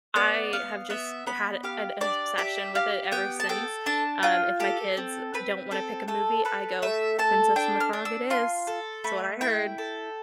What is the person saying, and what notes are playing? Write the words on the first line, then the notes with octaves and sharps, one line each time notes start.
I have just had an obsession with it ever since, um, if my kids don't wanna pick a movie, I go, "Princess and the Frog it is." That's what I heard.
B3 D5
B3 F5
B3 E5
B3 B5
G4 F5
D4 D5
G4 E5
G4 F5
B3 G5
A5
A4 G5
D4 A5
F4 G5
G4 A4
C4
C4 B4
C4 A4
A3 A4
A4 B4
A3 E5
A4 A5
D4 G5
F6
D4
E6
F4 C6
A4
A3 B5
E4 G5
A4